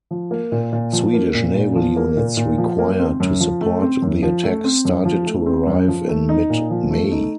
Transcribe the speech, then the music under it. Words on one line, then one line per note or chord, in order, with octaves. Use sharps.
Swedish naval units required to support the attack started to arrive in mid May.
F3
A#3
A#2
A#2
F3
A#3
A#2
A#2
F3
A#3
A#2
A#2
F3
A#3
C4
F#2
F3
A3
C4
F#2
F3
A3
C4
F#2
F3
A3
C4
F#2
F3
A3
D#4
A#2
F3
A3
D#4